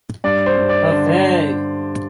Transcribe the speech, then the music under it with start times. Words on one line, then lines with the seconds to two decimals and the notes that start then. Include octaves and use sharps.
The Fig.
0.24 G2 D5
0.46 C5
0.58 G2
0.69 D5
0.91 D3